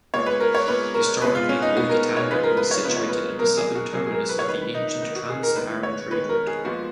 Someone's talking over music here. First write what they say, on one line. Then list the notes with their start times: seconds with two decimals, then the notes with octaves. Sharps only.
Historically Bolgatanga was situated at the southern terminus of the ancient Trans-Saharan trade route.
0.14 A#2 G#3 B3 C#5
0.26 B4
0.40 A#4
0.55 C#5
0.68 A#2 G#3 B3 B4
0.94 A#4
1.22 B2 G#3 B3 B4
1.35 F4
1.49 C#4
1.62 D#4
1.76 B2 G#3 B3 F#4
1.89 A#4
2.17 C#5
2.30 C#3 F3 G#3 B3 B4
2.43 A#4
2.57 B4
2.71 C#5
2.84 C#3 F3 G#3 B3 B4
2.97 C#5
3.08 B4
3.39 B2 F#3 A#3 A#4
3.57 G#4
3.75 F#4
3.93 B2 F#3 A#3 G#4
4.07 G#4
4.12 A#4
4.29 B4
4.39 C#5
4.47 D#3 A#3 B4
4.62 B4
4.74 D#4
4.88 D#4
5.02 D#3 A#3 D#4
5.16 F#4
5.29 G#4
5.43 A#4
5.56 D#3 G#3 B3 B4
5.83 C#5
6.10 D#3 G#3 B3 B4
6.29 A#4
6.47 G#4
6.65 A#2 F3 G#3 B3 F#4